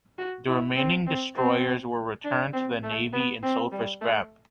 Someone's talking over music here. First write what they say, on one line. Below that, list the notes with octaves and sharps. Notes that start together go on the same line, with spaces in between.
The remaining destroyers were returned to the Navy and sold for scrap.
F#4
E4
C4
C4
C4
D4
C4
A3
B3
C4
G3
A3